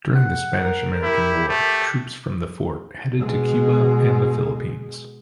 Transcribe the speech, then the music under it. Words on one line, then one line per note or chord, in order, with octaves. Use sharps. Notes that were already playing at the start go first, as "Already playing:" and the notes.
During the Spanish-American War, troops from the fort headed to Cuba and the Philippines.
F#5
A#4
E4 G4
A3
B2 G#3